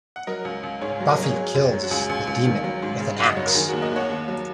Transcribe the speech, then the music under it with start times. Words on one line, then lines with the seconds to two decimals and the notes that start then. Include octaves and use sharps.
Buffy kills the demon with an axe.
0.16 F#5
0.27 F#3 A#4 D#5
0.45 C#2
0.63 C#2
0.81 G#2 G#4 C#5
1.00 F#3
1.09 A#4 D#5
1.18 F#3 G#4 C#5
1.36 F#3
1.54 F#2
1.73 F#3
1.84 F#4
1.91 C#2 G#4
2.09 C#2
2.27 C#2
2.46 D#3
2.64 F#3
2.82 G#2
3.00 C#3
3.19 F#2 F#5
3.29 D#5
3.37 F#3 C#5
3.46 A#4
3.55 D#3 G#4
3.68 D#2 F#4 A#4
3.82 A#4 D#5
3.91 D#2 C#5 F#5
4.10 D#2
4.28 F#3